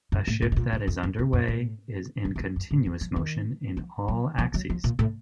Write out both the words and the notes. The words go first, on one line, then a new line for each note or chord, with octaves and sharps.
A ship that is underway is in continuous motion in all axes.
F#2
A2
A2
C3
A#2
A2
F2
F#2
F2
F#2
A2
F#2
F#2
F2
F#2
A2
F#3
F3
D#3
F3
F#3
F3
F#3
F3
A#2
A2